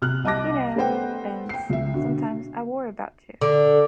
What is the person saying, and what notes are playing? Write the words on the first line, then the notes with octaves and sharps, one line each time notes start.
You know, Vince, sometimes I worry about you.
C3 F6 F#6
C2 D#5 A5 D6 A#6
A3 B3 B4 C5 F#5 G5
G5 C7
C#2 E5
B2 D3
D3